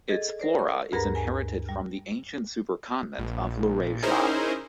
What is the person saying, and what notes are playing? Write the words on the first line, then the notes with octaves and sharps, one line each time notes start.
Its flora is inherited from the ancient supercontinent of Laurasia.
G#4 A4 D#5
A#4 C5 D5
C#6
D2 G2 G#4 A#4 B4 A#5
G#5
G3
A#1
C#4 D#4 E4 G#4 A#4 C5